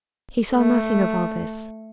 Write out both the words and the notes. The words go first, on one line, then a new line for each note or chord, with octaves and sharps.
He saw nothing of all this.
A3